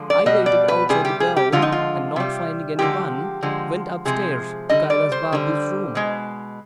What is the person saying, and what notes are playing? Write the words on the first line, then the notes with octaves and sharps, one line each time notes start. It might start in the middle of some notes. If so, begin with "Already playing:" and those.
I waited outside the door, and, not finding any one, went upstairs to Kailas Babu's room.
Already playing: D3 F3 G#3
D5
B2 G3 D#5
D5
B4
C3 G3 G#4
G4
G#4
G4
D3 F3 G#3 F4
D#4
F4
C3 G3
D3 F3 G#3 G4
D3 F3 G#3
C3 F3 G#3 G#4
D3 G3 D#5
D5
C5
D3 G3
B2 G#3